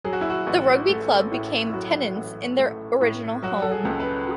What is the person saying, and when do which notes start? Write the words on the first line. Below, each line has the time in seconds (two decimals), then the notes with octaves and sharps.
The rugby club became tenants in their original home.
0.04 F#3 G#4
0.13 F#4
0.21 E4
0.30 F#4
0.47 A1
0.89 A3
1.32 A2
1.70 E4
1.73 F#3 F#4
2.16 A1
2.59 A3
3.01 A2
3.43 F#3 F#4
3.62 A4
3.72 G#4
3.85 C#2
4.00 B4